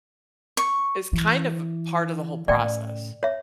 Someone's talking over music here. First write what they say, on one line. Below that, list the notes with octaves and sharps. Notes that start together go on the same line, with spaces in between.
is kind of a part of the whole process.
C#6
E3
A2 C#3 D5 G5
C#5 E5